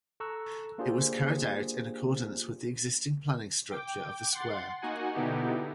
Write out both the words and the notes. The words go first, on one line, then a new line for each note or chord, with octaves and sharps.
It was carried out in accordance with the existing planning structure of the square.
A4 A#5 C#6 E6 F#6
A#3 D4 F4 G4 G#4 C5
G5 D6
F#5 C6 A6
A#3 D#4 F#4 F#5 G#5
B2 D3 B3 D#4 E4 G4